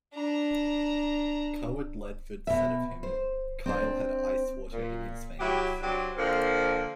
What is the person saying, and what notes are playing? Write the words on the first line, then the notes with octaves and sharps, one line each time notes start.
Cawood Ledford said of him, Kyle had ice water in his veins.
D4 A#5
B2 E5
C5
C4 D4 C5
A#2
F#3 E4 G4
F#3 C4 D4 G4
D3 F3 A#3 C4